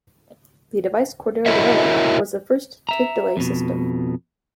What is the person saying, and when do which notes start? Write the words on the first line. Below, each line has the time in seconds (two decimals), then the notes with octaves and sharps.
The device Cordaro developed was the first tape delay system.
1.46 E4 F#4 A#4 C#5 D#5 E5
2.89 E5 A#5
3.37 F2 B2